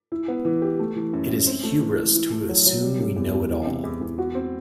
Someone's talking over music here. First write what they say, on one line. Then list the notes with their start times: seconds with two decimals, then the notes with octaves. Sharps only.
It is hubris to assume we know it all.
0.12 E4
0.28 B3
0.45 E3
0.62 G4
0.79 A3
0.96 E3
1.13 F#2
1.30 F#2
1.47 C4
1.63 A3
1.81 E3
1.98 E3
2.15 E4
2.32 A3
2.49 F#3
2.66 F#3
2.83 G3
3.00 C3
3.16 E2
3.33 E2
3.51 E3
3.67 C3
3.84 E2
4.01 E2
4.18 F#4
4.35 C4